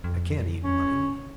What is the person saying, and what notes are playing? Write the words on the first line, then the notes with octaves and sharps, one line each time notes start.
I can't eat money!
F2
C#4